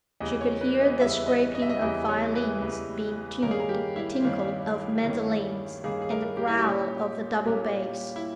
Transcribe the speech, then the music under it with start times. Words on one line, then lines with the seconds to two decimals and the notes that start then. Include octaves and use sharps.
She could hear the scraping of violins being tuned, the tinkle of mandolins, and the growl of a double bass.
0.20 E2 C#3 G3 D#5
0.41 C#5
0.61 B4
0.81 D#5
1.01 E2 C#3 G3 E5
1.28 D#5
1.55 D#5
1.62 E5
1.69 D#5
1.82 E2 C#3 G3 D#5
2.09 C#5
2.35 B4
2.62 E2 C#3 G3
3.42 G2 D#3 A#3 C#4 A#4
3.51 G#4
3.60 A#4
3.69 G4
3.96 E4
4.23 G2 D#3 A#3 C#4
5.03 G2 D#3 A#3 C#4
5.84 G2 D#3 A#3 C#4 G#4
6.02 G#4
6.10 A#4
6.37 G4
6.47 E4
6.58 G4
6.64 A#2 G3 A#3 C#4
7.44 A#2 G3 A#3 C#4
8.16 E4